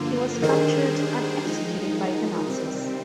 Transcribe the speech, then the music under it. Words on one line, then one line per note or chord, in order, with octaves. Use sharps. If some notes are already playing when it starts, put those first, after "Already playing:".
He was captured and executed by the Nazis.
Already playing: G2 D3 F3 A#3 F4
D#3 G3 D4 G#4 C5
F3 G#3 D#4
C3 G3 C4